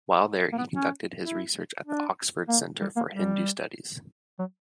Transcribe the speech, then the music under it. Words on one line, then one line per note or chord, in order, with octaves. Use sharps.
While there, he conducted his research at the Oxford Centre for Hindu Studies.
A#3
B3
C#4
E4
D4
A#3
G3
A#3
G3
F#3